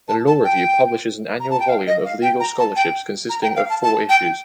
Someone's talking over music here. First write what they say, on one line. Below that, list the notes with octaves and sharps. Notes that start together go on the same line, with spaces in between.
The "Law Review" publishes an annual volume of legal scholarship consisting of four issues.
A5
A5
G5
A#5
A5
G5
F5
D#5
F5
G5
A#5
A5
G5
A#5
G5
F5
A5
A5
G5